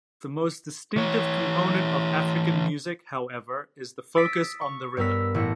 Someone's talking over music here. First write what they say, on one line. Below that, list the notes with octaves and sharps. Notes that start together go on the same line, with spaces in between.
The most distinctive component of African music, however, is the focus on the rhythm.
E3 C#5
D#6 E6 A6 B6 D7
C#6
G2 B3 A#4 E6 B6
A1 E4 A#6 C#7